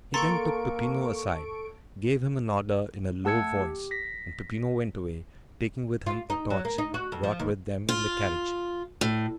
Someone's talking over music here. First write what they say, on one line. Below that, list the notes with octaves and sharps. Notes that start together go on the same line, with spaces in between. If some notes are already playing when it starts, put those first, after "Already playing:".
He then took Peppino aside, gave him an order in a low voice, and Peppino went away, taking with him a torch, brought with them in the carriage.
A#3 A4 A#5 C6 C#6 A6 D7
A3 F#5 A5 E6 G#6 C#7
G4
A#6 B6
F4
D#4
F#3
A#3
D#4
F#4
F2
F3
D#2
F4
A2